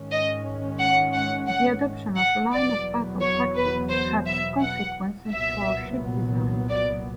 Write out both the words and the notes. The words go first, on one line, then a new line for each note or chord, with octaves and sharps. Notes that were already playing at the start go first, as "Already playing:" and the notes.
The adoption of line-of-battle tactics had consequences for ship design.
Already playing: G#2 D#3 G#3 C#4
D#5
F#5
F#5
F#5
F#5
E2 B2 F#3 B3 D5
C#5
B4
C5
E5
F#5
C2 A#2 F#3 B3 E5
D5